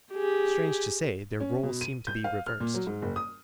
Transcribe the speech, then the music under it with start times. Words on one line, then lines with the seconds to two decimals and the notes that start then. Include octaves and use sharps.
Strange to say, their roles seemed to be reversed.
0.13 G4 G#4
1.40 C#4
1.63 B2
1.81 D#7
2.07 G6
2.24 F5
2.47 F6
2.60 A#2
2.74 F#3
2.87 G#2
3.02 F#1
3.16 D#6